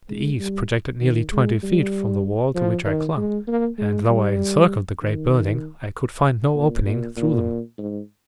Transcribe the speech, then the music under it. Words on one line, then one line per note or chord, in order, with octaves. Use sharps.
The eaves projected nearly twenty feet from the wall to which I clung, and though I encircled the great building I could find no opening through them.
G#3
G3
D#3
G#3
G3
F3
D#3
G#3
A#3
G#3
G3
D#3
A#2
A#2
A#2
G#2